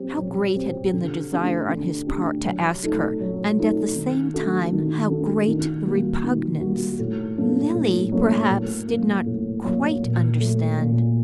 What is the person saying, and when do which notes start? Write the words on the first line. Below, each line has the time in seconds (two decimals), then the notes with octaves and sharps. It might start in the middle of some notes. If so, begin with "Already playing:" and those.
How great had been the desire on his part to ask her, and, at the same time, how great the repugnance, Lily, perhaps, did not quite understand.
Already playing: F#3 C4 G4
0.18 F#3
0.56 C4 G4
0.93 D3
1.32 A3 D4 G4
1.69 D3
2.07 A3 D4 G4
2.44 F#3
2.83 A3 D#4 A4
3.20 F#3
3.58 A3 D#4 A4
3.96 D#3
4.34 A3 D4 F#4 A4
4.72 D#3
5.09 A3 D4 F#4 A4
5.48 D#3
5.86 G3 A#3 F#4
6.24 D#3
6.61 G3 A#3 F#4
6.99 A2
7.37 F#3 A#3 D4 A4
7.74 A2
8.12 F#3 A#3 D4 A4
8.50 A2
8.88 F#3 A#3
9.26 A2
9.64 F#3 A#3
10.02 A#2
10.40 F#3 A3
10.77 A#2